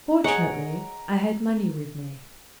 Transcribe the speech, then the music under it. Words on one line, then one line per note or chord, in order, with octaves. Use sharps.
Fortunately I had money with me.
G#4 C#5 D#5 F#5 A#5 C#6 D7